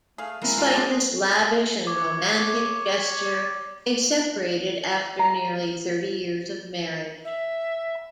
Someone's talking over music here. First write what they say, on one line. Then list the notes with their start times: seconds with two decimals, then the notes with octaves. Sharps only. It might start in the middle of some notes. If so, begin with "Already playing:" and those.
Despite this lavish and romantic gesture they separated after nearly thirty years of marriage.
0.18 A3 G#4 F5
0.42 G#3 E4 A#4
0.57 G#3 F4 D5
0.74 G#4 A4 C5 F#5 D6
1.87 C#5 D6
5.19 A#5
7.25 E5